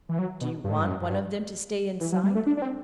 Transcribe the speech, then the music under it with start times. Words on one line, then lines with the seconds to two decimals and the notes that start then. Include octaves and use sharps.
Do you want one of them to stay inside?
0.09 E3
0.19 F#3
0.41 B2
0.64 G2
0.71 A2
0.79 G2
0.87 F#2
1.01 F#2
1.10 G2
2.01 E3
2.12 F#3
2.23 G3
2.35 A3
2.46 D4
2.57 D4
2.62 C4